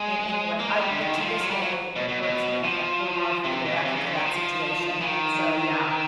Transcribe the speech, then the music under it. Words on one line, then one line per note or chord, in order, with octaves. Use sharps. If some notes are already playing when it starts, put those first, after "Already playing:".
And any way, I to this day, it hurts me that that poor dog had to go back into that situation, and so, yeah,
Already playing: G#3
A#3
G#3
G3
D3
D#3
E3
F3
F#3
G3
F#3
B2
B2
B2
F3
C3
B2
C#3
C3
C#3
D3
D#3
F3
E3
D#3